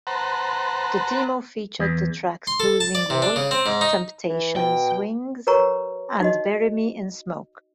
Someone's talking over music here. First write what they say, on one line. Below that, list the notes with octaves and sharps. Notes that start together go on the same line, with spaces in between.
The demo featured the tracks "Losing All", "Temptations Wings" and "Bury Me in Smoke".
B4 C5 F#5 A5 A#5
E2
C6
A4
A5
D5
C3
D4
C#3
C4
G#2
D#4
E3
B2 G5
F#4 A#4 B4 C#5 A#5 C#6
D#4 F#4 D#5